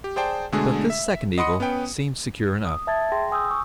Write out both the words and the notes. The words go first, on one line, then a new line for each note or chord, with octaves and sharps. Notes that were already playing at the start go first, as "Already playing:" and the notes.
But this second eagle seemed secure enough.
G4
G#4 C5 D5 G5 A5
B2 D3 G#3 A3 D4 G#4
E5
D#5 F#5 B5 C6 D#6 C#7
B3 C#4 B4 G5
D#6
E5 A5 G#6 A6
G#4 G5 C6 A#6
G#5 D#6 E6 G6
C#6 E6